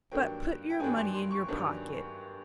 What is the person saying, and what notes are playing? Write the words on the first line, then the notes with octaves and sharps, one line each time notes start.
But put your money in your pocket.
G2 D#3 F#3 A#3 D4 G5
G5
G2 D#3 F#3 A#3 D4 G#5
C6
C6
C#6
G2 D#3 F#3 A#3 D4